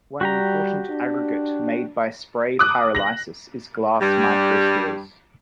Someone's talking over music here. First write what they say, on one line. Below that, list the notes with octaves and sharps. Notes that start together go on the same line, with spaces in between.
One important aggregate made by spray pyrolysis is glass microspheres.
G3 F#4 G4 A#5
D4
D6 D#6 F#6
A#6 F#7
G2 G3